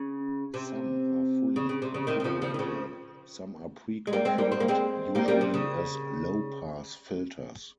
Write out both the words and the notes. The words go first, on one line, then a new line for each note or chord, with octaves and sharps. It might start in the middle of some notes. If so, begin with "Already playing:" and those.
Some are fully configurable; some are pre-configured, usually as low-pass filters.
Already playing: C#3
C3
C#3
C#3
C3
C#3
C3 D#3
D#3
C#3 F3
C#3 F3
D#3
C#3 F3
G#3
G3 A#3
G#3 C4
G3 A#3
C4
A#3
G#3 C4
G3 A#3
G3 A#3
C3
C#3